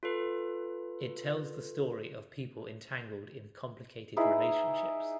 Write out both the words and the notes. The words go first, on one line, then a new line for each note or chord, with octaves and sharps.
It tells the story of people entangled in complicated relationships.
F4 A4 B4
D#4 E4 G#4 B4